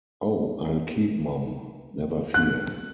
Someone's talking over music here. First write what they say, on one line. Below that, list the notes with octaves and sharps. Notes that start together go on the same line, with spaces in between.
Oh, I'll keep mum, never fear.
F#6